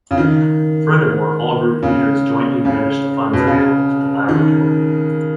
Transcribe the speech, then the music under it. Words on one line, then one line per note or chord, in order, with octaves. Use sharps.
Furthermore, all group leaders jointly manage the funds available to the laboratory.
C#3
D#3
C#3
C#3
B2
C#3
D#3